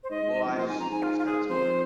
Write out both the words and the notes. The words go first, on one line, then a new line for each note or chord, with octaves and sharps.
Well, I just just kinda told her
C5
G#2 D#5
G#2
G#2
F2
A#2 C5
G#2 G#5
F2 A#5
G#2 G#5
F4
F4
G#4
F2 C5